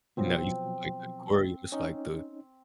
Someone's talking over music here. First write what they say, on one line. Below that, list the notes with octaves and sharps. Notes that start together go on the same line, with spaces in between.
you know, you said, like, the aquarium, it's, like, the
B2 F3 F#3 C4
C#4 D#4